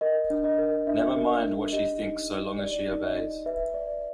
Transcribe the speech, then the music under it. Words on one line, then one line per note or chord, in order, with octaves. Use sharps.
Never mind what she thinks so long as she obeys.
A#4 D#5
D4
D#5
A#4
D4 E5
A#4
D4
G4 D#5
D#4
D#4
G4 D5
D#4
D#5
D#4
B4 E5
D5